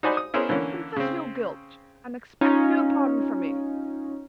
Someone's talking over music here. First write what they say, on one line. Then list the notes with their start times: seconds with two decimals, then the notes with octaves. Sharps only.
"Confess your guilt, and expect no pardon from me!"
0.03 D#4 F#4 C5 D5 G#5 B5
0.17 D#6
0.34 B3 C#4 E4 G#4 A#4 C5
0.49 D3 E3 A#3 C#4
0.96 C#3 C4
2.41 C#4 D#4 F4